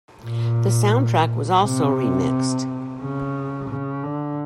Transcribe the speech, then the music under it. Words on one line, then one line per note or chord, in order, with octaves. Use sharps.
The soundtrack was also remixed.
A#2
C3
C#3
C#3
D3